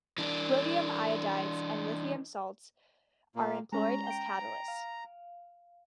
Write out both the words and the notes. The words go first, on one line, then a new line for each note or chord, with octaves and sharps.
Rhodium iodides and lithium salts are employed as catalysts.
E3 D4
A#2 A#3
G#3 C#4 A#5
G5 D7
F5